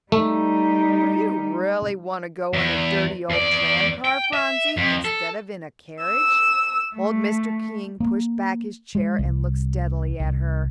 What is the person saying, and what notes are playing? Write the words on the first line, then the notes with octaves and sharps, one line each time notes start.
"Do you really want to go in a dirty old tram-car, Phronsie, instead of in a carriage?" Old Mr. King pushed back his chair and looked steadily at her.
G3 A3 D#4
E2
E2 D5
G5
E5
F2
A4
E6
A3
A#3
G#3
C2
C2